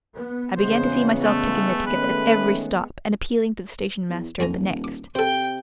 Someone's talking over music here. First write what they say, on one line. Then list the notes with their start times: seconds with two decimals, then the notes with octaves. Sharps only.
I began to see myself taking a ticket at every stop and appealing to the station-master at the next.
0.15 B3
0.57 E2 C#3 G#3 B3 C5
1.24 A3
1.87 D#3 A3 C#4 B4
4.10 E2
4.40 D#1 F2 G#5 A#5
4.84 D6
5.15 C3 A4 C5 G5